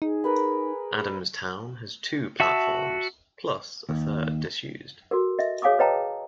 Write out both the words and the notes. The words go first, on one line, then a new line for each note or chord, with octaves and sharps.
Adamstown has two platforms plus a third disused.
D#4 G#4
A#4 B4 B5
F#4 E5 A5 E6
D#2
F#4 A4 A#4
D#5 E5
G#4 C#5 F5 G#5 D6 D#6
B4 C#5 D#5 G5 A5 A#5